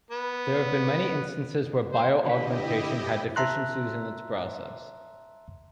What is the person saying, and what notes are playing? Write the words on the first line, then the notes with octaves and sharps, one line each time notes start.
There have been many instances where bioaugmentation had deficiencies in its process.
B3
C5
D3 E4 G4 B4 D#5
E5 A5 A#5 C6 F#6